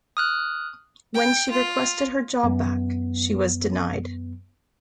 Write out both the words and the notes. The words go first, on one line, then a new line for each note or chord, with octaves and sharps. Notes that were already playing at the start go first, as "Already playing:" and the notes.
When she requested her job back, she was denied.
D#6 F6 F#6
G5
F4
F#2 B3